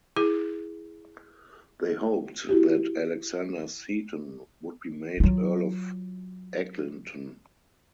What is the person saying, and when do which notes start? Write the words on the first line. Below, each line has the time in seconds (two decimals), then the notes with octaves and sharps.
They hoped that Alexander Seton would be made Earl of Eglinton.
0.16 E4 G#4
2.49 E4 F#4 G4
5.20 F#3 F4